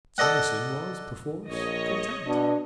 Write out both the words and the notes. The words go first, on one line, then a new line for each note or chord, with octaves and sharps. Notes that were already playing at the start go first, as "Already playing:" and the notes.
Thomasin was perforce content.
A4 D5 D#5 F#5
A#1 C#5 D#5
B2 D4